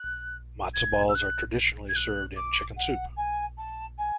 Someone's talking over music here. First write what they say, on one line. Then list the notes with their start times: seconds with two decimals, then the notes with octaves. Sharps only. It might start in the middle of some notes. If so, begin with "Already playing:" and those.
Matzah balls are traditionally served in chicken soup.
Already playing: F#6
0.74 G#6
1.09 E6
1.15 F#6
1.89 G#6
1.96 F#6
2.37 D6
2.77 F#5
3.17 G#5
3.58 A5
3.98 G#5